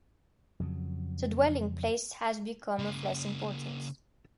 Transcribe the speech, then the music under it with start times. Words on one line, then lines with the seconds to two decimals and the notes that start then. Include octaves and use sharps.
The dwelling-place has become of less importance.
0.60 F2 C#3 F#3
2.79 C#3 A#3